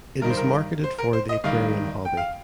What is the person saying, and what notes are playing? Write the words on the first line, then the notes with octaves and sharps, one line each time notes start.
It is marketed for the aquarium hobby.
G2 D#3 A#4
C5
A#4
C5
A#4
C5
D#5
G2 D#3 F5
G5
F5